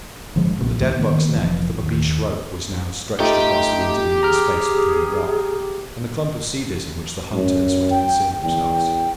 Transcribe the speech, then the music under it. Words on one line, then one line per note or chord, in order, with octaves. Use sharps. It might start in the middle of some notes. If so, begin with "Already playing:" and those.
From the dead buck's neck the babeesh rope was now stretched across the intervening space between the rock and the clump of cedars in which the hunters were to conceal themselves.
G1 D3 F3 G#3
A#1 C3
C#2 A2 E3
D#3 A#3 B3
F1 E3 F3
D#2
A3 D#4 F4 G4
G#4 A#5 F6
F#2
G5
E2 G5